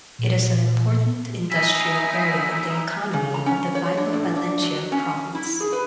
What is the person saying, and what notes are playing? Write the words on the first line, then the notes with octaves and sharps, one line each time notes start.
It is an important industrial area in the economy of the Vibo Valentia province.
A#2
D#4 E4 E5 G#5 A#6
C#3
A#5
C#4
C#5
D4
A2
D4
F#3
C#4
E4
G#4
B4